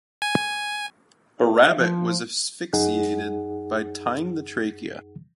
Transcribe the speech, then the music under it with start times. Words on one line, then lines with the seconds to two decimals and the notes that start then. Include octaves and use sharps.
A rabbit was asphyxiated by tying the trachea.
0.22 G#5
1.78 F3
2.73 F#2 D#4 G#4 F#5